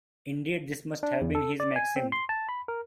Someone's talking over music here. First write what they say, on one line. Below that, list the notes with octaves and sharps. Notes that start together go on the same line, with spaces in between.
Indeed this must have been his maxim.
D4
E2
A4
D5
G#5
C4
C6
A5
B5
A#4